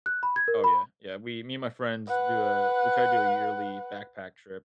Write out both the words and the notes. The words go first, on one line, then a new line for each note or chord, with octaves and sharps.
Oh, yeah. Yeah, we me and my friends do a we try to do a yearly backpack trip,
F#6
B5
G#6
A#4
B5
B4 F#5